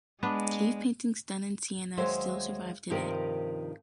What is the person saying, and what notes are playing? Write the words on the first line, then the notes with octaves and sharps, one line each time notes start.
Cave paintings done in sienna still survive today.
G#3 B3 D4
D#2 F#3 G#3 C5 C#5 E5
G2 C3 D#3 F3 G4 A#4